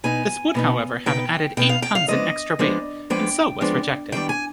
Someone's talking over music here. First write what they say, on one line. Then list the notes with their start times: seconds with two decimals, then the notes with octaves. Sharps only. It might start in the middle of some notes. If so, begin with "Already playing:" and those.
This would however have added eight tons in extra weight, and so was rejected.
0.04 B2 B3 D#4 G#5
0.55 B2 B3 D#4
1.06 B2 B3 D#4 G5
1.57 B2 B3 D#4 G5
1.69 F5
1.82 G5
1.95 F5
2.08 F3 G#3 B3 D4 D#5
2.59 F3 G#3 B3 D4
3.10 F3 G#3 B3 D4 G5
3.61 F3 G#3 B3 D4
4.12 D#3 G3 B3 D4 G5
4.29 G#5